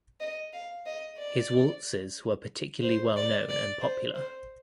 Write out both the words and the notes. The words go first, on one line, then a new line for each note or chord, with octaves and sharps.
His waltzes were particularly well known and popular.
D#5
F5
D#5
D5
C5
D5
D5
C5
C5